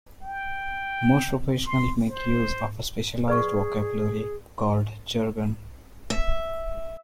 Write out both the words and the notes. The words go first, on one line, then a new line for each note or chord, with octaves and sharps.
Most professionals make use of a specialised vocabulary called jargon.
G5
C6
C5
G#4 B4 D5 C#6
E5